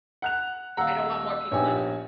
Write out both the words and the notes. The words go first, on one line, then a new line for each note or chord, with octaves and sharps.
I don't want more people in
F#5 F#6 F7
D#1 F5 F#5 A#5 E6
A#1 B3 D#4 G4 C#5 G#5